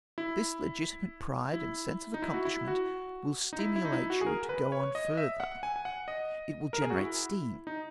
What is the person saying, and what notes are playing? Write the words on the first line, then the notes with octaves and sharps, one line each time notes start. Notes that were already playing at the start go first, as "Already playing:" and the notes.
This legitimate pride and sense of accomplishment will stimulate you to go on further; it will generate steam.
E4
E4
D#4
E4
F#4
E4
F#4
D#4
E4
E4
D#4
E4
F#4
G#4
A#4
B4
C#5
D#5
E5
F#5
G#5
G#5
F#5
D#5
A#4
G#4
F#4
E4
D#4